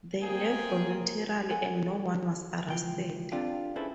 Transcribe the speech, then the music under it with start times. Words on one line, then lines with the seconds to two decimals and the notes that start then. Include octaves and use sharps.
They left voluntarily and no one was arrested.
0.22 A#3 C4 G#4 G5
1.50 A4 F#5 G#5
2.70 C#2 E3 F3 G5
3.32 C4 D4 F4 G4 A4
3.76 C#4 E4 G#4 A4 B4 C5